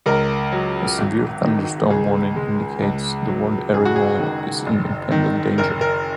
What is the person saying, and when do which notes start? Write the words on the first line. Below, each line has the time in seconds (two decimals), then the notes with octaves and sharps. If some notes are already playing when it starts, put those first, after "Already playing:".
A severe thunderstorm warning indicates the warned area is in impending danger.
0.06 C#2 A#4
0.52 F#3
0.98 G#1
1.45 D#3
1.90 C#2 G#4
2.36 G#3
2.82 C#2
3.28 F#3
3.74 F#1 G#4
3.85 F#4
3.96 G#4
4.20 D#3
4.66 F#1
5.12 D#3
5.58 F#1 A#4
5.81 A#4